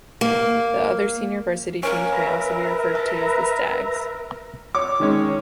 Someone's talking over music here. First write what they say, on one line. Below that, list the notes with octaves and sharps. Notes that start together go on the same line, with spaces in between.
The other senior varsity teams may also be referred to as the Stags.
A#3
A#3 C#4 A#4
B4 E5 A#5
A4
C#5 D6
D#3 G#3 C#4